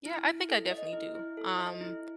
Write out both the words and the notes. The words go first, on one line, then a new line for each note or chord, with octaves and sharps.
Yeah, I think I definitely do, um,
E4
E4
A4
D#5
E4
E4
A4
D#5
E4